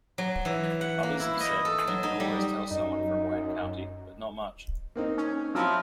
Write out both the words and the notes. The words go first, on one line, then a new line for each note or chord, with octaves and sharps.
Others have said, You can always tell someone from Wayne County, but not much.
F#3
E3
F#5
A#3
E4
D#5
A4
F#3
D#4
G3
F#2 D#4
A#3 C4 D#4
C#4
F3 F#3 C4 D#4 E4